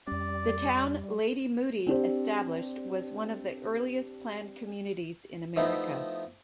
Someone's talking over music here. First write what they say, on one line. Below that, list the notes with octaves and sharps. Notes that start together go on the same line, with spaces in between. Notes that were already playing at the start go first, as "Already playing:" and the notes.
The town Lady Moody established was one of the earliest planned communities in America.
F2 G3 C#4 D5
C4 D4 G4 C5
F3 A3 B3 D#4 E4